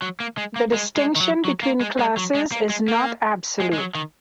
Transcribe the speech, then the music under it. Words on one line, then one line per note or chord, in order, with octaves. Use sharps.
The distinction between classes is not absolute.
F#3
A#3
G#3
A#3
G#3
G#3
D#3
F#3
F#3
A#3
G#3
G#3
F#3
G#3
A#3
G#3
A#3
G#3
G#3
F#3
D#3